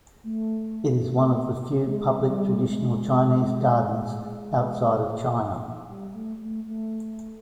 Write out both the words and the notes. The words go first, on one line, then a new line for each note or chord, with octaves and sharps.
It is one of the few public traditional Chinese gardens outside of China.
A3
G#3
G3
G#3
G3
A3
A3
A3